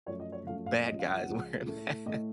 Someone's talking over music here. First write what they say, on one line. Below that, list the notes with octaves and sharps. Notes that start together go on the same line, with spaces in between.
bad guys wearing masks.
F#2 F3 A3 C#5
D#5
C#5
F#2 F3 A3 F5
F5
C#2 C#3 F3 D#5
F5
F#5
C#2 C#3 F3
A2 A3
A2 A3 D#5